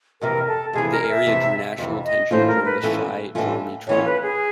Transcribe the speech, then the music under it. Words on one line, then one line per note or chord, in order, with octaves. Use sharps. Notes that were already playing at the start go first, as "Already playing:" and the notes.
The area drew national attention during the Shai Dromi trial.
F2 C3 E3 A#4
A4
F2 C3 E3 G#4
A#4
E5
F2 C3 E3
F2 C3 E3
D#5
A2 E3 A3 C#4 F4 C5
A#4
B4
A2 E3 A3 C#4 F4
A2 E3 A3 C#4 F4
A2 E3 A3 C#4 F4 C#5
B4
G#4